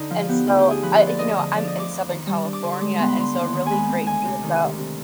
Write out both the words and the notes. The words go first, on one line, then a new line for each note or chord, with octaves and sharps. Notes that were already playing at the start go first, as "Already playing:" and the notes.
And so, I, you know, I'm in Southern California, and so, a really great thing about
Already playing: D3 D#4
F3 F4
B3 G4
D2 F4
G4
D3
G#4
F3 B4
B4
D2
D5
D2 D#5
D3 D#5
F3 D5
D#5
D2
D6
F2
D#3
G3
D4
D6
D3 C6
G#3 D6
B3 C6
B5
D3 C6
D#2
D#3
G#3 G#5 B5
C4
D2 G#5
C3
D#3
D2
C3